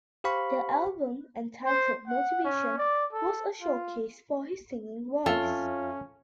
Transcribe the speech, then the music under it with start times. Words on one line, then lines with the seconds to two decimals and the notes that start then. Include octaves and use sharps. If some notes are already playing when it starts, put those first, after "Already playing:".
The album, entitled "Motivation", was a showcase for his singing voice.
0.24 G4 C5 F5 B5 C#6
1.65 C5
2.07 F#5
2.44 C#4
2.78 D5
3.13 A4
3.62 F4
5.26 F2 C#4 F4 A4 C#5 E5